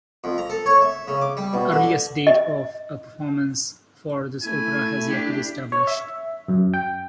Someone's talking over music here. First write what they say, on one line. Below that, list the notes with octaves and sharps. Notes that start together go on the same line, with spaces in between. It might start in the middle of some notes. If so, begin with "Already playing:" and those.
The earliest date of a performance for this opera has yet to be established.
F2
A#5
A4
C#5
E5
C#3
D6
G3
B2
D3
D#5
A3 E4 G#5
D4 G4
C#5
E5
F#2
G5